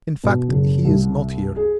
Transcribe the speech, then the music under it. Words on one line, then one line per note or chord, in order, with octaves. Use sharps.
"In fact, he is not here...."
B2
F#1
C2
G#4